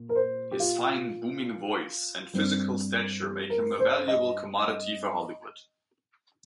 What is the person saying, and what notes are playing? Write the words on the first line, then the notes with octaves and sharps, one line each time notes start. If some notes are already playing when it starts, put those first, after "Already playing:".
His fine, booming voice and physical stature make him a valuable commodity for Hollywood.
Already playing: A#2
A#4
C5
G4
F4
G2 G3 C4
G4
A#4
C5
D#5